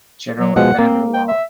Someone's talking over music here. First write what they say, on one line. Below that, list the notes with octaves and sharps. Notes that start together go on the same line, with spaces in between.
General Evander Law.
F#3
B2 F3 G#3 F#5
A#3 C4
G5
E5